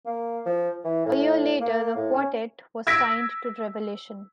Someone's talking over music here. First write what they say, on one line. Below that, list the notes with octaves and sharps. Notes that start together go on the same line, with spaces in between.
A year later the quartet was signed to Revelation.
A#3
F3
E3
A2
A#3
A2
C#4
E6 G#6 A#6 B6 D7